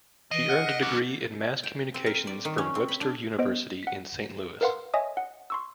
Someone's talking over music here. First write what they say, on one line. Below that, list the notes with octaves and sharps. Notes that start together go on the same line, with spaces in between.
She earned a degree in Mass Communications from Webster University in Saint Louis.
E3 D#5 A#6 C7 D7
F#5 F6 F#6 C#7
B6 D7 G7
C#4 G4 C#7
G5
C4
A#4
D5
D#3
C#4
C4
B5
D4
B3 C5 D#5 D7
F#5 B6
A#4 B4 F5 F#5 C6
C#5 D#5 E5 G#5 D#6
F#5
C6 C#6 E6